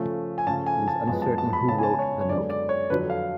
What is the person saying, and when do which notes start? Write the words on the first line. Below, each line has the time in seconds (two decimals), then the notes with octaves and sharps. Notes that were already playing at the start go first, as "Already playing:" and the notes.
It is uncertain who wrote the note.
Already playing: C#3 F3 A3 C#4
0.38 G#5
0.47 C#3 F3 A3 C#4 A5
0.66 G#5
0.88 A5
1.07 F#2 F3 G#3 B3 A5
1.22 A5
1.38 A5
1.53 B5
1.68 C#3 G#3 B3 A5
1.78 G#5
1.83 A5
1.99 C#5
2.21 C#5
2.29 F#2 D3 G#3 B3 D5
2.50 D5
2.69 C#5
2.90 F2 D3 F#3 B4
3.10 F5